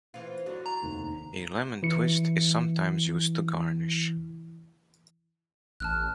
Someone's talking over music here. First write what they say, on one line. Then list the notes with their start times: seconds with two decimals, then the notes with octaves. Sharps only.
A lemon twist is sometimes used to garnish.
0.14 E3 C4 F4
0.46 D3 F#3 D4 F#4
0.66 A#5
0.82 F1 D#2 D#3
1.83 E3 E4 C#7
5.80 A1 A5 F6 F#6